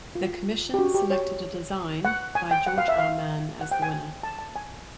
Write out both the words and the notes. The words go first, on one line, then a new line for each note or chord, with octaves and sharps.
The commission selected a design by George R. Mann as the winner.
F4
G4
F#4
G4
C#5
F#5
G#5
G5
F#5
F5
E5
F5
F#5
G5
G#5
A5
A5
G#5